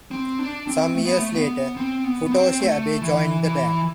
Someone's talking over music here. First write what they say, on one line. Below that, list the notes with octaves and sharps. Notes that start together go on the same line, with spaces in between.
Some years later Futoshi Abe joined the band.
C4
D4
C4
A3
B3
A3
B3
C4
B3
B3
C4
A3
E3
E3